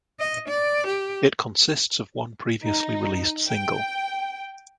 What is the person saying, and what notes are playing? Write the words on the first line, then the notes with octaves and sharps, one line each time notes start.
It consists of one previously released single.
D#5
D5
G4
D#4
G5